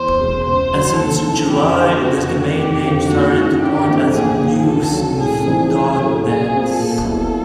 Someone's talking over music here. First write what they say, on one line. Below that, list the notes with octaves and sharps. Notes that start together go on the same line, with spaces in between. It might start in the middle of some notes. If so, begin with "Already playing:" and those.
And since July, this domain name started to point at newsmth dot net.
Already playing: E2 C5
B2 G#3
C#2 C5
C#3 F#3
D#2 A4
C#3 E3 A3
F2 G4
D3 F3
F2 F#4
C#3 E3 A3
F1 G4
F2 D3 F3
D#2 F#4
D#3 G#3 C#4 E4
G2 G4
E3 A3 C4
A#1 G#4
A#2 F3
C#2 A4
C#3 F#3
A2 G#4
E3 G3 C4 D#4
A1 G#4
A2 F#3 A3
A#2 G#4
G3 C4 F4
A#2 A4
F#3 B3 E4